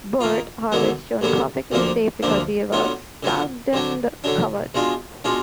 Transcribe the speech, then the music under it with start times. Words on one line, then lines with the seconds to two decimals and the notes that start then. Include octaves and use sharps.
Bert, however, is shown perfectly safe, because he has ducked and covered.
0.21 D#3 A#3 F4
0.72 D#2 D3 F#3 B3
1.21 D#2 D3 F#3 B3
1.72 D2 D3 F3 A#3 D4
2.22 D2 D3 F3 A#3 D4
2.72 D3 F#3 B3 F4
3.23 D3 F#3 B3 F4
3.73 D3 F#3 D4
4.24 D3 F#3 D4
4.75 B2 G#3 D4 F4
5.24 B2 G#3 D4 F4